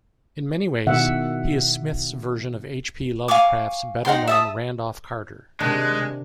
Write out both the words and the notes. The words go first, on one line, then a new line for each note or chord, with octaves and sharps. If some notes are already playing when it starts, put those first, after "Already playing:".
In many ways, he is Smith's version of H. P. Lovecraft's better-known Randolph Carter.
B2 D#3 E5 F#5
F5 G#5 C#6 D6
D#4 F#5 G5 C6
E5 A5 D#6
C3 D#3 G#3 D4 D#4 F#6